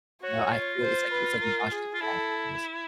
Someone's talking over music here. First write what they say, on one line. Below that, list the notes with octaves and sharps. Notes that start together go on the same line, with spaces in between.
No, I feel it's like it's like you dodged the draft almost.
F#4 C#5
F#4
F4
C5
B4
A#4
G#4
F4
E4 A4